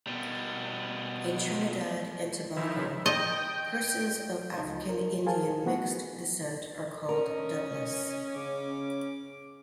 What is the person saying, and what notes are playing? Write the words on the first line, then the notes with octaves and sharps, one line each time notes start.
In Trinidad and Tobago, persons of African-Indian mixed descent are called "douglas".
B2 G3
D#3 F3 E4
D#5 G5
C#2 F#3 D#4
A#4
G#4 A#4 C5 F5 G#5 A5
F#3 A3 B3 F#4
C#4 A#4 D#5
C#3 D6